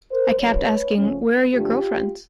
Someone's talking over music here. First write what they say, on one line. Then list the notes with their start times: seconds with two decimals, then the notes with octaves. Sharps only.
I kept asking 'Where are your girlfriends?
0.10 A#4 C5
0.39 A2 F#3 A3 C#4 B4 C#5
0.96 C#3 F3 A3 C#4
1.54 G2 D3 F3 A3 D4 F4 G4